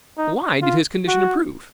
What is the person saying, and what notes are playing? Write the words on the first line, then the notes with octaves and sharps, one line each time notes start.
Why did his condition improve?
D#4
F4
F#4